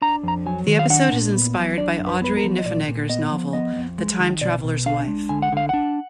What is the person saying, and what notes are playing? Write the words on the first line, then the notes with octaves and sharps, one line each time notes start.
The episode is inspired by Audrey Niffenegger's novel "The Time-Traveler's Wife".
D4 A#5
F2 A#5
F#3 G#5
D#3
F5
D4 F#5
A#2
B3
F#3
D4 D5
F#2
B4
B3 B4
A#4
F3
D#5
A#2 D5
A#2
B3 D#5
F3
B3 D#5
F2
G#3
D#3
B2 D5
B2
D4 F5
G#3
D3 G#5
F#5
D3 F5
D4 F#5